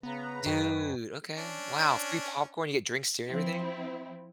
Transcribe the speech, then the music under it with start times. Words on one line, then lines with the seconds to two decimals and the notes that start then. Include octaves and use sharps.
Dude, okay. Wow, free popcorn, you get drinks too and everything?
0.03 C#3 B3 B4 A#5
0.46 F#2 F#4 D#5 G5
1.37 C#4 D4
3.29 F3 C4 E4